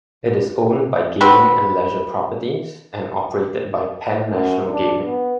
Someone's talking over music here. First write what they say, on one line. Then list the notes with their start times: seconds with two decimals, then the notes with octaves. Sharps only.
It is owned by Gaming and Leisure Properties and operated by Penn National Gaming.
1.21 C4 F#4 B4
4.31 F#2
4.69 D4
5.05 B3